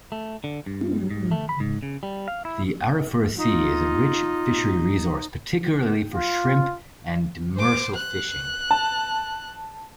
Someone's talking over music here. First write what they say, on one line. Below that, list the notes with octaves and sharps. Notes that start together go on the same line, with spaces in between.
The Arafura Sea is a rich fishery resource, particularly for shrimp and demersal fishing.
A3
D3
G2
G#2
A3
B5
G#2
C#3
G3
F5
E4
D#4 F4
F4
C5 D6
F#6
A5